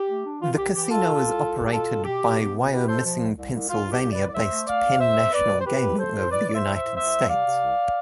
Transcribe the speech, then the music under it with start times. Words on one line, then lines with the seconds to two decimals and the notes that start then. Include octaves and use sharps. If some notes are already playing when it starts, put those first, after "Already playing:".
The casino is operated by Wyomissing, Pennsylvania-based Penn National Gaming of the United States.
Already playing: G4
0.09 A3
0.26 D4
0.42 E3 F4
0.53 F4
0.58 C2 G4
0.74 E3 G4
0.91 C2 F4 A4
1.08 C3
1.24 C2
1.41 C2
1.56 C2
1.66 G4
1.72 B2 F4 A4
1.89 B2
2.05 B2 G4
2.22 B2
2.38 B3 G4
2.55 B2
2.71 E4 G4 B4
2.87 B2 A4 C5
3.04 F3
3.20 C2
3.36 C2
3.53 C2
3.69 C2 F4
3.86 C2
3.91 G4
4.02 C3
4.13 B4 D5
4.18 C2
4.29 D5
4.34 E2 C5 E5
4.51 A3
4.67 A3 D5 F5
4.84 E2
5.00 E2 C5 E5
5.17 E2
5.33 E2 B4 D5
5.49 B2
5.60 C5
5.66 A2 G4 B4
5.82 A2
5.99 F3 A4 C5
6.14 A2
6.31 A2 B4 D5
6.47 A2 D5
6.53 C5 E5
6.64 A2
6.75 C5 E5
6.81 A2
6.97 C2 C5 E5
7.14 G3
7.29 C3 D5 F5
7.46 C3
7.63 C2